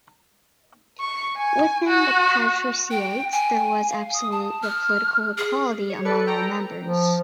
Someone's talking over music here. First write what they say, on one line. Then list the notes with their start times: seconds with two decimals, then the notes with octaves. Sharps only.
Within the patriciate there was absolute political equality among all members.
1.00 C#6
1.37 G#5
1.87 F#4
2.91 G5
3.32 G#5
3.90 F5
4.14 D#6
4.32 A5
4.62 F6
5.38 G#4
5.90 C#5
6.05 A4 B4 D5 C#7
6.26 A4 G5 A#5 A#6
6.80 F3